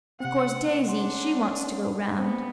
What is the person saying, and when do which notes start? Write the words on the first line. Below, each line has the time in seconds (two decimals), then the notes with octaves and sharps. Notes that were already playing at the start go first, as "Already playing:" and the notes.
Of course Daisy--she wants to go round.
0.20 C3 C4 F#5
0.88 C#4 D4 F#5 C6
2.17 B3 C4